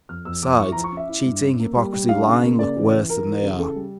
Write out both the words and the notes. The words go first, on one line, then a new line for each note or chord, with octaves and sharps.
Besides, cheating, hypocrisy, lying, look worse than they are.
F2 F6
F2 E6
F2 D6
E4 C#6
F3 A#5
C#6
C#4 E5
E4
G2
C#4
A#3
G3
G3
D4 F5
C#3
A#3
C#3 D5
E3
E3
E3 A#4
E3
C#3
C#3 A4
G3